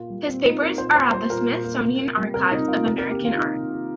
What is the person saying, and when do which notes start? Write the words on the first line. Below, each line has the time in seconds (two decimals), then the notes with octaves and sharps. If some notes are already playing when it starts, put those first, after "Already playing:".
His papers are at the Smithsonian Archives of American Art.
Already playing: A#2 A#3 F4
0.10 G3
0.27 A#2 C4
0.44 A#2 D#4
0.62 A#3 A#4
0.78 A#2 C5
0.95 A#3 C5
1.13 G3 C5
1.30 A#2 A#4
1.48 A#2
1.64 A#3
1.83 C3
2.00 A#3
2.17 G3
2.34 C3 A#4
2.51 C3 D#4
2.68 A#3 F4
2.85 C3 A#4
2.98 A#4
3.03 A#3
3.11 G4
3.20 D#3 F4
3.37 C3 D#4
3.54 C3
3.72 A#3